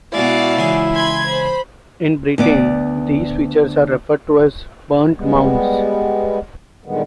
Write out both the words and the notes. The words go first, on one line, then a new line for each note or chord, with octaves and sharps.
In Britain these features are referred to as 'burnt mounds'.
B2 G#3 E4 F#4 D5 F5
C#2 E3 G#4
B5 C6 G#6
C5 B5
D2 B3 D5
G3 G#3 B3
A#2 D3 D#3 G3 G#3 B3